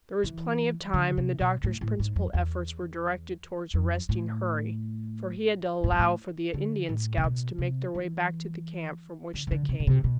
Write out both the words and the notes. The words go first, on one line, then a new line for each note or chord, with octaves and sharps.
There was plenty of time, and the doctor's principal efforts were directed towards arresting hurry, for he had to allow for the Indian scouts to make their way back to the camp from which they came.
E3
D3
C3
B2
A2
A2
G#2
F2
E2
F2
A2
A2
G#2
A2
D3
A2
C3
B2
C3
E3
D3
C3
D3
C3
B2
C3
B2